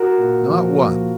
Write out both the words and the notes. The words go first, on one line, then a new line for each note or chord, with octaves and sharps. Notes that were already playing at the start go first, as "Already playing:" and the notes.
Not one.
Already playing: F#4 A#4
A#2
F3
A#2